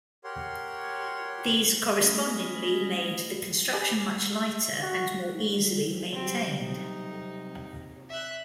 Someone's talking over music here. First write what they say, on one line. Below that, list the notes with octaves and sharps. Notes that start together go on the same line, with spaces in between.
These correspondingly made the construction much lighter and more easily maintained.
G4 A#4 C#5 F#5 C6
A3 C#4 D#5 B5
G4 G#5 B5
F#4
G3
C3 F#3 G3 C4 G4
D#4
E5 F#6